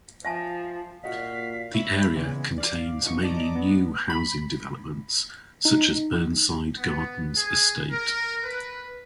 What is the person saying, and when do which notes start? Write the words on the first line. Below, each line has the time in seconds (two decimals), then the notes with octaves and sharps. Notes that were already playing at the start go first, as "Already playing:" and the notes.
The area contains mainly new housing developments such as Burnside Gardens Estate.
0.25 F3 E5 G#5 A5
1.04 A#2 F#4 D#5 F5 B6
1.74 C#5 E5 B5
2.16 A#2 C#3 E3 G#3 B3
2.58 D5 F5
3.03 B2 F3 D#4 C#6
3.23 D5 D#5 A5 A#5 D6
3.55 B3
4.10 B5
5.65 D#4
6.77 B3
7.37 G#4
7.91 A#4
8.44 B4